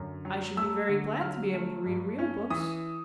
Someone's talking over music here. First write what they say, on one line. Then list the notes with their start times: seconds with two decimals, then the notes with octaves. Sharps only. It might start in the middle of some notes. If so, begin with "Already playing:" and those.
'I should be very glad to be able to read real books.
Already playing: F#2 D3
0.25 F#3
0.57 A3 E6
0.89 D3
1.21 F#3 F6
1.54 A3
1.86 G2
2.19 C#4
2.50 E3 D#6